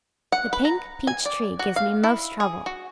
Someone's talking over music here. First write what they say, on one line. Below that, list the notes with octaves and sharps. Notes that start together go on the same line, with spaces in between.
The pink peach tree gives me most trouble.
F#5
B4
A#5
G#5
D5
F#4
F5
E4
G#4
F#4